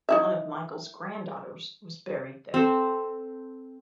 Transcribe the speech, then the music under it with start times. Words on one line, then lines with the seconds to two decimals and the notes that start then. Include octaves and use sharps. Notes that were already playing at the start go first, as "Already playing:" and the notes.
One of Michael’s granddaughters was buried there.
0.09 D#4 E4 E5
2.54 C4 A4